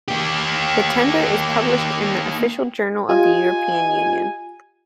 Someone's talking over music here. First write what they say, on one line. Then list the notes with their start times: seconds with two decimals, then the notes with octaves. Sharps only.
The tender is published in the "Official Journal of the European Union".
0.08 A#3 G4
3.09 F4 G4 D#5 G#5